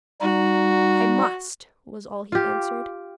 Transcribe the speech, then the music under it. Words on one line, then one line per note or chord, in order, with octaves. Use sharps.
'I must,' was all he answered.
G3 D#4 F#4
F4 G4